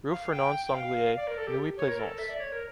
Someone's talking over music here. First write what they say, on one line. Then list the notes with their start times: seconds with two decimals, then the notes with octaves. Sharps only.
Rue Fernand Sanglier, Neuilly-Plaisance.
0.11 F5
0.32 G5
0.65 G5
0.74 F5
1.17 D5
1.27 A#4
1.38 A4
1.47 G4
1.77 C#5
1.88 A#4
2.00 A4
2.18 E5
2.30 D5
2.40 C#5
2.52 A#4